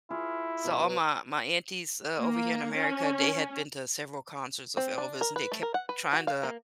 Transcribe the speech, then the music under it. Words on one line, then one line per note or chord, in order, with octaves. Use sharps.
So all my my aunties, uh, over here in America, they had been to several concerts of Elvis and they kept trying to uh,
E4 F4 G#4 F5
B2 F#3
A#3
C#4
C4
D4
A#4
B4
A3
A#4
F#5
B4
F#4
F5
A#3